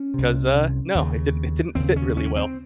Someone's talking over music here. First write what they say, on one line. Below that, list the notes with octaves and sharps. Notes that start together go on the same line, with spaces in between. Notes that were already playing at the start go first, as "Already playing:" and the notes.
'cause, uh, no, it didn't it didn't fit really well,"
Already playing: C#4
C2 C3
D#2 C#3
D#2 C#3 C4
C#4
C#4
C4